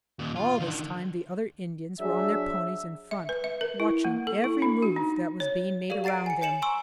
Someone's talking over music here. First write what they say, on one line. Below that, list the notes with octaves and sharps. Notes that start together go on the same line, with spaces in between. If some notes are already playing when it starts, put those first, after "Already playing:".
All this time the other Indians were on their ponies in front, watching every move that was being made around them.
D#2 A#2
F4
D3 D#3
F#3 D4 G#4 E5
E5
B4
E5
A#4
E4
A#3
A4
E4
D4
F#4
D#4
C#5
G4 A4 A#4 D5 F5
F#5 A#5 A6 C7 D7
G#5 C#7
C#5 G#5 C#7 E7 F#7
G#5 A#5 C6 C#6 E6 D7